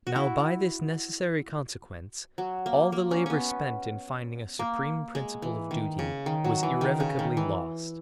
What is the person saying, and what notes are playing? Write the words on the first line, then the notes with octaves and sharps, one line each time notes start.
Now by this necessary consequence all the labour spent in finding a supreme principle of duty was irrevocably lost.
F#4
E4
F#3
A#3
A#3
C#4
B3 C#4
A#3
G#3
E3
D#3
C#3
D#3
F#3
E3
D#3
C#3
D#3
E3